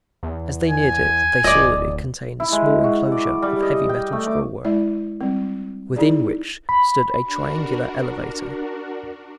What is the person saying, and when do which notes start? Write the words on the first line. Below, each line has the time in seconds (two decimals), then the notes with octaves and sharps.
As they neared it they saw that it contained a small enclosure of heavy metal scrollwork, within which stood a triangular elevator.
0.23 E2
0.69 G#5
1.44 D1 D5 D#5
2.40 E4
2.52 G#3
2.83 F#4
3.12 D5
3.42 G3
3.62 D#5
3.89 G5
4.12 A3
4.27 D6
4.65 G#3 E4 D5 E5
5.21 G3 C4
5.96 D#4 E4 G#4 D5
6.69 B5
7.20 D4 F#4 A#4